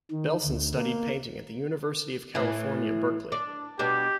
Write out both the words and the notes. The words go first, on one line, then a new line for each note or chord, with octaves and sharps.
Belson studied painting at the University of California, Berkeley.
D#3
D2
A#3
A2 E3
D4
B2 G3 D4 G4